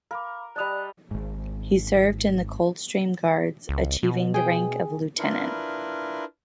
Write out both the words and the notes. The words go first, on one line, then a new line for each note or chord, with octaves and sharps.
He served in the Coldstream Guards, achieving the rank of lieutenant.
A#4 F5 B5 D6
G3 D5 D#5 A5 F#6 F7
G#1 G#2
C#2
B2
G#4 G5
D4 E4 F4 A#4 B4